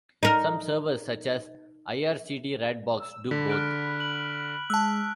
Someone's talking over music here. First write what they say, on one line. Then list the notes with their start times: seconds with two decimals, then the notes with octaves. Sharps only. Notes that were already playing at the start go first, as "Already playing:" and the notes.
Some servers, such as ircd-ratbox, do both.
0.23 D#4 A#4
3.00 E6
3.31 D3 B5 B6
3.50 F6 F#6 D7
4.00 F#7
4.70 G#3 A5 E6 F#6 F#7